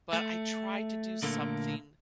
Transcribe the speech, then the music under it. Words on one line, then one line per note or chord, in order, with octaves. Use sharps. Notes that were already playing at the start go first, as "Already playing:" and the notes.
but I try to do something
A3
A#2 D3 A3 A#3